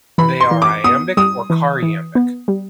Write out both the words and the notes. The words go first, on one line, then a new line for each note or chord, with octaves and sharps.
They are iambic or choriambic.
E3 B5
C6
E3
D6
B3 D#6
G3 D#6
E3
E3
B3
G3